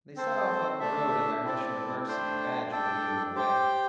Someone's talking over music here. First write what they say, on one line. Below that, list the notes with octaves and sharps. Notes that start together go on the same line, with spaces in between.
They set off up the road on their mission of mercy, Badger leading the way.
C4 A4 C5
A3 D4 A4 E5
C4 E4 A4 D5
A3 D4 C5 G5
D4 A4 D5 G5
G4 C5 G5